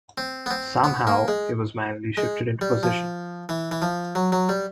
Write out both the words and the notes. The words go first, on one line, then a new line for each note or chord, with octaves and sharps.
Somehow, it was manually shifted into position.
C4
B3
C4
B3
A#3
G#3
G#3
G3
F3
E3
E3
F3
F#3
F#3
G3